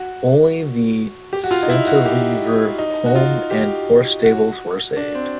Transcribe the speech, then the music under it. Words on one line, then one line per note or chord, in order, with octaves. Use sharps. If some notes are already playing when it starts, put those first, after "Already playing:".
Only the Centlivre home and horse stables were saved.
Already playing: F#4
G4
F#4
F4
D#4
E4
F#4
G4
D#4
F#4
F4
G4
F#4
D4
C4